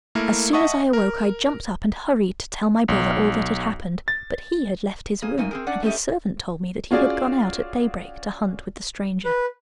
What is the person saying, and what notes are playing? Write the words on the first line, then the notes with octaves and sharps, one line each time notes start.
As soon as I awoke I jumped up, and hurried to tell my brother all that had happened, but he had left his room, and his servant told me that he had gone out at daybreak to hunt with the stranger.
A3 A#3 E4 A#4
D#5 E5 F#5 A5 C#6 D#6
A#4
B1
A6
A#3 G#4
F#2 A#3 D#4 G#5
C4 G#4 A#4
C#4 D4 D5 F#5
A3 C#4 G4 D#5
C#4 F4 F#4 G#4 D5
B4